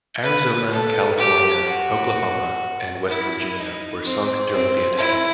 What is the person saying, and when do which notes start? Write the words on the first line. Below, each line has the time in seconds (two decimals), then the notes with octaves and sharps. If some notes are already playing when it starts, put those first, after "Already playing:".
"Arizona", "California", "Oklahoma", and "West Virginia" were sunk during the attack.
0.23 B4
0.70 A4
1.18 G4
1.66 F#4
3.08 E4
3.56 D#4
4.03 C4
4.51 C4
4.98 E4